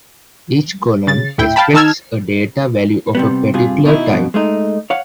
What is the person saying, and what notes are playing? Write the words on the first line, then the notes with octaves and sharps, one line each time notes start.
Each column expects a data value of a particular type.
C#3 A6
D2 A2 E4 G5
F5 G5 A5 B5
D#3 D#4 A5 E6 F6 G#6
C3 G3 B3
G2 C3 F4 G#4
B2 D#4 E4
F2 B2
G#3 A3 D#4
C#5 F5 F#5